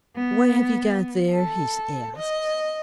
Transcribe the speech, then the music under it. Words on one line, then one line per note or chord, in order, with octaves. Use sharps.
"What have you got there?" he asked.
B3
A4
D#5